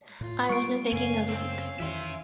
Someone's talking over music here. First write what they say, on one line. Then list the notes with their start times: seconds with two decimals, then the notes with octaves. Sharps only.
I wasn't thinking of hooks.
0.21 A2 F4
0.49 G3 G#3 C#6 D7
0.92 F#2 C#3 C#4 F5 G#5
1.30 C4
1.80 F2 D#3 E3 E5 C6